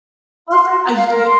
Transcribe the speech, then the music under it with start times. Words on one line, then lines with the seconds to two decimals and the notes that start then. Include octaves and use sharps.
Plus a year.
0.50 C6
0.62 F#4
0.83 A#5
0.96 F5
1.08 A#4
1.25 C6